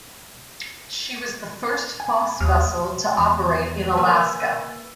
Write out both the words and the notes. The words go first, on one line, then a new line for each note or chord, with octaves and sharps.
She was the first Foss vessel to operate in Alaska.
G#5
D#2 D#6 F6
E2
A#3 B4 G#5 E6